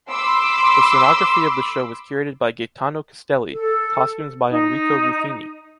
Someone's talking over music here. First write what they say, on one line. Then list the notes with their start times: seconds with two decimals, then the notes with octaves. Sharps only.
The scenography of the show was curated by Gaetano Castelli, costumes by Enrico Ruffini.
0.10 B5 C6 D6 E6
3.52 A4
4.49 D#4